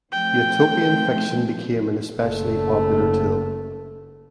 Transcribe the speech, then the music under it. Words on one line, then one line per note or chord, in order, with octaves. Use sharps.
Utopian fiction became an especially popular tool.
F3 A3 C4 G5
F#1 A3